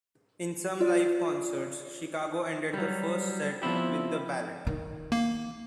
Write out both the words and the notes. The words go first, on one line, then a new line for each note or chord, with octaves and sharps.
In some live concerts Chicago ended the first set with the Ballet.
F4 D5
F#3 G3
F3 B3 C4 E4 G4
D#3
A#3